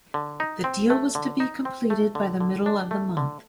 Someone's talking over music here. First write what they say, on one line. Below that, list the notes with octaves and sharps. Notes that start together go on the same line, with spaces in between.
The deal was to be completed by the middle of the month.
D3
D#4
C4
A3
D3
D#4
C4
A3
D3
D3
D4
A3
D3